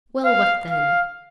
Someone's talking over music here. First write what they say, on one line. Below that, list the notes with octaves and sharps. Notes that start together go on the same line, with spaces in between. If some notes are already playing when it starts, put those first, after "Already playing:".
Well, what then?
F5
F5